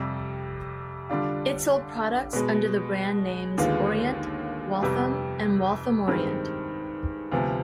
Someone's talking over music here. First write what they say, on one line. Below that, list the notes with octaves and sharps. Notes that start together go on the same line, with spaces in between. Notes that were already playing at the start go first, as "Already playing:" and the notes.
It sold products under the brand names Orient, Waltham, and Waltham-Orient.
Already playing: F2 C3 G3
D3 G3 D4 F4
B2 G#3 B3
D#2 D3 G#3 B3 F4
F2 C3 G3 B3
G2 D#3 G#3 C4
D2 C3 F3 B3